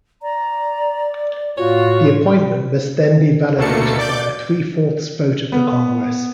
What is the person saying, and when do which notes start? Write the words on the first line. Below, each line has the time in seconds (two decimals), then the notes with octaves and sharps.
The appointment must then be validated by a three-fourths vote of the Congress.
0.22 D5 A#5
1.57 A2 F4 F#4 C#5
3.58 D2 B2 A3 A#3 A4 C#7
3.99 D5 D6 G6 A6
5.52 B3